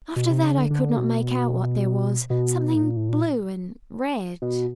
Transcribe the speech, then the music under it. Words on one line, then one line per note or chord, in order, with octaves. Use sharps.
"After that, I could not make out what there was; something blue and red..."
B2
C3
C#3
D3
D3
B2
B2
A2
A#2
A2
A#2
B2